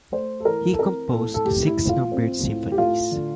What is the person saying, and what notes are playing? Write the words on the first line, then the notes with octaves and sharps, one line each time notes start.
He composed six numbered symphonies.
A3 C5
A4
E3 A#4
A4
C4 A#4
A2 A4
A4
A3 G4
E4
E3
F4
C4
A2
G4
A3 F4
D3